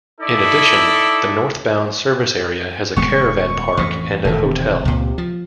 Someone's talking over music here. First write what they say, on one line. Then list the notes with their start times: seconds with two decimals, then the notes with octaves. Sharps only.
In addition, the northbound service area has a caravan park and a hotel.
0.21 D#4 E4 A4 D5
2.96 D#1 G#3 B3 C#6
3.77 A1 F2 A2
4.25 E1 A2 D#3 A3
4.45 C3
4.85 C#2 A#2
5.18 F3